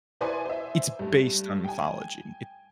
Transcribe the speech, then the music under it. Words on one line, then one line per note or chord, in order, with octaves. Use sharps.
It's based on mythology, it's
E4 B4 C5 D5 G#5 C6
C5 E5
G2 A3
G5 G#5